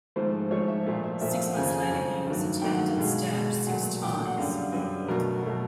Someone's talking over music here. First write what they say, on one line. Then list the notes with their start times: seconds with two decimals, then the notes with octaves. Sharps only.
Six months later, he was attacked and stabbed six times.
0.16 G#2 F3 A3 C5
0.51 G#2 F3 A3 C#5
0.68 E5
0.86 A#2 F3 A3
1.03 E5
1.21 A#2 F3 A3 E5
1.33 F5
1.45 F#5
1.56 F2 C#3 F3 G#5
1.68 G#5
1.80 G#5
1.91 F2 C#3 F3
2.27 G2 D#3 F#3 A3
2.62 G2 D#3 F#3 A3 G5
2.73 F#5
2.86 F5
2.97 B2 G#3
3.32 B2 G#3
3.67 A#2 F#3 A3 F#5
4.03 A#2 F#3 A3 G5
4.14 G5
4.26 F#5
4.38 F#2 D3 G3 F5
4.72 F#2 D3 G3 B4
5.08 B2 F#3 A3 A#4
5.43 B2 F#3 A3